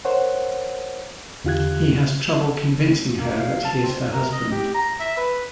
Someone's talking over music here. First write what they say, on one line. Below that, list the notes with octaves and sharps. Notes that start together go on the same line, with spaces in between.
He has trouble convincing her that he is her husband.
A#4 C5 C#5 F#5
E2 D3 F4 G4 F#6 G#6
A#3
F5
A5
C4
A#4
D#5
G4
A#5
E5
B4